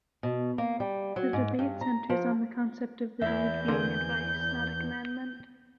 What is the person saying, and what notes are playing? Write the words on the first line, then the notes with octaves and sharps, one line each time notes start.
The debate centres on the concept of the Rede being advice, not a commandment.
B2
A#3
G3
F#3
G#2
G2
A#5
F3
E2 E4 E5 G6
D3 A#3 C4 G#4